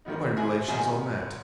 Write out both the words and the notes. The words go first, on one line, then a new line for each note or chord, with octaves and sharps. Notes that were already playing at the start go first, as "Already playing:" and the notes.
All my relations are met.
G#2 D#3 F#3 B3 D#4
E4 G#4
G#2 D#3 F#3 B3 D#4 E4 G#4